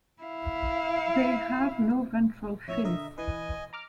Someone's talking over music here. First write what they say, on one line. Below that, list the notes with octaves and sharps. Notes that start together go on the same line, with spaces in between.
They have no ventral fins.
E4 F5
F2 A2 C#5 E5
D3 A#4 D#5 E5
E3 B4 D#5 G#5
A#5 D6 F6